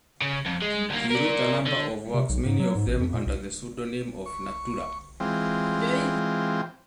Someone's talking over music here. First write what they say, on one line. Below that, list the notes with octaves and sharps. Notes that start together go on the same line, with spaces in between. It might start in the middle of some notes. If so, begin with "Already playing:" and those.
He wrote a number of works, many of them under the pseudonym of “Natura”.
C#3
F2
G#3
D2 A#3
A#4 D5
D3
C3
B1
G#2
F#3
G#2
A1
F2
A#2
C2
C#6
E3 G#3 C4 F4 G5